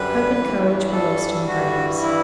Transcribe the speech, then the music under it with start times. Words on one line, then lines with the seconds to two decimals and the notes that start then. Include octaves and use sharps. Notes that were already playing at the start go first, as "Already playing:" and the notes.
Hope and courage were lost in dreams.
Already playing: F#2 D3 G3 B4
0.36 G2 E3 G3
0.92 A4
1.47 G2 E3 G3 F#4
2.02 E4